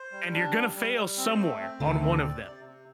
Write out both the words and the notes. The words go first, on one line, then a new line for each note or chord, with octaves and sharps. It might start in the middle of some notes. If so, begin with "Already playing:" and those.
And you're gonna fail somewhere on one of them.
Already playing: C5
G3
D4
G3
G3
G3
C4
A3
C4
D2 D3 A3
C4
D5
C3
C3